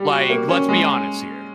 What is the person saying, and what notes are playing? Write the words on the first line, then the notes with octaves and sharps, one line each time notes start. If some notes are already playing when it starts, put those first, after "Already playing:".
Like, let's be honest here.
Already playing: G3
F#4
A#3
C#4
G#3